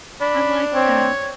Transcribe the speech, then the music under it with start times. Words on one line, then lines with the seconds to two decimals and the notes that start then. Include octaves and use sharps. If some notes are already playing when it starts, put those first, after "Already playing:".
I like that.
0.21 D4 B5
0.74 C4 C#5